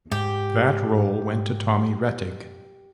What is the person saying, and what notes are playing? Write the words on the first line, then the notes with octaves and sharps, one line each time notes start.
That role went to Tommy Rettig.
G#2 G4